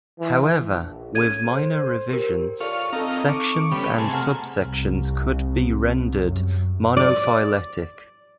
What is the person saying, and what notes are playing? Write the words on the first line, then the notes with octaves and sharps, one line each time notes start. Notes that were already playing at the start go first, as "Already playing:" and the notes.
However, with minor revisions sections and subsections could be rendered monophyletic.
E3
A#1
C#3 A4 G#6 D#7
C5
G4 A#4
F4 A4 C#5 D5
C4 D#4 F4 A4 A#5
C#6 D6
C#3 G3 B3
C3 A3 G#4
F#5 A#5 F6
C2
F#2
D5